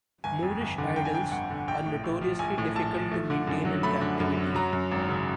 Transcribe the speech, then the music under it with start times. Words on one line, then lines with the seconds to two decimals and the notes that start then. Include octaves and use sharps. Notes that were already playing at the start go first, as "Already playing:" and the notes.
Moorish idols are notoriously difficult to maintain in captivity.
0.24 G1 G#5
0.42 F2
0.60 G1
0.78 D3
0.96 G1 G5
1.05 G#5
1.14 F2 G5
1.32 G1 F#5
1.50 D3
1.67 A#1 G5
1.86 A2
2.04 A#1
2.21 F3
2.39 A#1 G#5
2.58 A2
2.75 A#1 A5
2.93 F3
3.11 A3
3.30 D3
3.47 F#2
3.65 F#3
3.83 A3 B5
4.01 D3
4.20 F#2
4.37 F#3
4.55 F#3 A#5
4.73 F#2
4.91 G#1
5.09 C#3